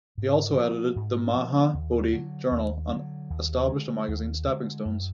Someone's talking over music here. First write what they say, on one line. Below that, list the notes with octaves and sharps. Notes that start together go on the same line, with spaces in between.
He also edited the "Maha Bodhi Journal" and established a magazine, "Stepping Stones".
G#2
F3 B3
G#2
F3 B3
D#2
D3 F#3
D#2
D3 F#3
D#2
D3 G#3
D#2
D3 G#3
F#2